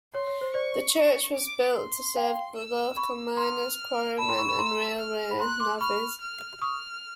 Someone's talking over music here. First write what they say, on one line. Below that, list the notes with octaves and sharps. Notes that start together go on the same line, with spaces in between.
The church was built to serve the local miners, quarrymen and railway navvies.
C#5 C6
C#5
C5
C5 D5 C#6
D6
C6
F5 G5
E6
B5 C#6
A#5 C6 F6
A5 B5 E6
A#5 C6
B5 C#6
B5 C#6
A#5 C6
F6
B5
A#5 C6 F#6
C6 D6
B5 C#6 F6
F6
C#6 D#6 F6